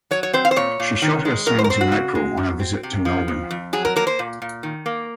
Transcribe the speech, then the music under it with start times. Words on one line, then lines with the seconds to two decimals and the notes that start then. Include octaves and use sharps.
She shot her scenes in April on a visit to Melbourne.
0.11 F#3 C#5
0.23 C#5
0.33 C4 C5
0.45 F5
0.51 C5
0.56 A#2 C#5
0.80 A#2
1.02 D#3
1.25 G#3
1.46 F#2 A#4
1.58 C5
1.64 A#4
1.70 C4 C5
1.81 F#4
1.92 C#3
2.15 G#3
2.37 F#2
2.60 C4
2.83 C3
3.05 F3
3.28 F2
3.51 F2
3.73 F#3 G#4
3.85 A#4
3.96 A#3 A#4
4.07 C5
4.19 A#2
4.42 A#2
4.63 D#3
4.86 A#3